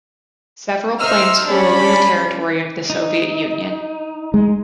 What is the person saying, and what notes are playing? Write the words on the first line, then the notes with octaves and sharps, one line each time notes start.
Several planes flew over the territory of the Soviet Union.
D#4 C5 E5 E6 F6
G3 C#4 D4 D5 B5
D#4
G#3